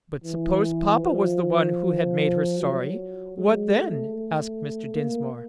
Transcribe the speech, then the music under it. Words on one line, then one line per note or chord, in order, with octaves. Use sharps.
"But suppose papa was the one who had made her sorry; what then?" asked Mr. Dinsmore.
E3
F3
F#3
G#3
A3
A3
A#3